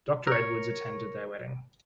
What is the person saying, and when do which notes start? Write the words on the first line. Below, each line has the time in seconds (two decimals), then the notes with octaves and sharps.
Doctor Edwards attended their wedding.
0.27 A#4 C#5